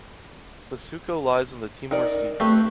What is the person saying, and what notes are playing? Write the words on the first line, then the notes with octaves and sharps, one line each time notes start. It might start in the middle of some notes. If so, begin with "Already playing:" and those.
The Suco lies on the Timor Sea.
D#4 A#4 D5
A3 C4 G4 B4